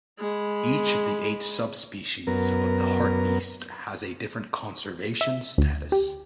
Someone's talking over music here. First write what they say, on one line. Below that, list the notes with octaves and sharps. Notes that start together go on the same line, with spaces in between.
Each of the eight subspecies of the hartebeest has a different conservation status.
G#3 B5
F#2 B3 A#4
E5
D2
G4